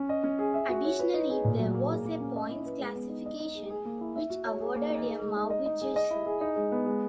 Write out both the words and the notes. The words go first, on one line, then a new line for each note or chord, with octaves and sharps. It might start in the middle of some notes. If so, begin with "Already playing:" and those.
Additionally, there was a points classification, which awarded a mauve jersey.
Already playing: C#4
D#5
C#4
G#4
E5
F#4
C#5
B4
D#4
G#4
A#2
F#3
A#3
G#4
A#3
C#4
D#5
E4
B4
G#3
B3
D#4
D#5
D#4
G#4
G#4
A#3
E4
E5
F#4
C#5
G#4
A#3
D#4
G#4
G#3
D#4
D#5
D#4
G#4
D#5
E4
G#4
D#4
G#3
B3
G#3